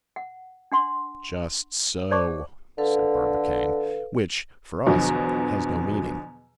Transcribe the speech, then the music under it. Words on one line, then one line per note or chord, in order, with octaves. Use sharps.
"Just so," said Barbicane, "which for us has no meaning."
F#5
D4 F#5 C6
C5 D5 A5 C#6 D6
D3 A4 B4 F5
E2 B2 D3 F3 F#3